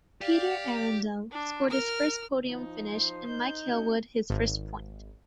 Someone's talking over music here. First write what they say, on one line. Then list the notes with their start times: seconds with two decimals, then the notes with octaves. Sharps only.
Peter Arundell scored his first podium finish, and Mike Hailwood his first point.
0.21 G4 D5 F5 G5
1.32 D4
1.70 A#4 F6
2.48 F3 D#4
2.86 C5
3.27 D#4 G6
3.68 C#4 F#4
4.30 G#1